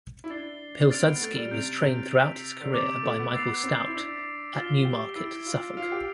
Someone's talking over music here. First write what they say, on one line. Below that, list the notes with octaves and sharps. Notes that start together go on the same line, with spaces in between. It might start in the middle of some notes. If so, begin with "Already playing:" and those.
Pilsudski was trained throughout his career by Michael Stoute at Newmarket, Suffolk.
E4
D4 A6 C7 G7
D4
C4 F6 A6 D7 F7
B3
A3
G3
C3 G6 D7 F7
C3
E6 B6 F7
D3
C3 D6 A6 D7 F7
A3
B3
B3 E6 A6 C7 F7
C4
E4
D4 E6 B6 D7
F4 E6 A6 E7 G7
G4
E4 E6 A6 D7 G7
F4
F4 F6 C7 F7
G4